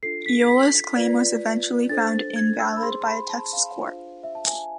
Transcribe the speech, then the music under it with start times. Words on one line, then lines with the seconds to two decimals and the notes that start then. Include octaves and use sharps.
Eolas' claim was eventually found invalid by a Texas court.
0.03 D4 F4 A4 C7
0.26 B6
0.48 B6
0.96 F4 B4 D5
1.89 D4 A4 C5 A6
2.36 G#6
2.60 E6
2.77 B5
2.83 G#4 C5 C6
3.01 C6
3.06 B5
3.29 A5
3.53 F5
3.76 D4 F4 G#4 C5
4.23 E5
4.35 A5
4.46 G#5